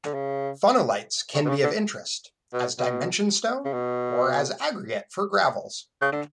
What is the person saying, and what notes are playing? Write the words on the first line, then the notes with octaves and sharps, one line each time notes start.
Phonolites can be of interest as dimension stone or as aggregate for gravels.
D3
C#3
C#3
B2
C#3
D3
B2
B2
C#3
B2
C#3
D3